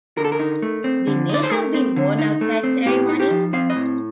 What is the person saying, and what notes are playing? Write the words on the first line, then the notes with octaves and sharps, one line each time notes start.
They may have been worn outside ceremonies.
D3 A#4
A4
A#4
D#4
A3
C4
D3
D#4 D5
C5
A3 A#4
C4
D3
D#4
A3
C4
A2 G4
D#4
G4
F3
C4 F5
D#5
A2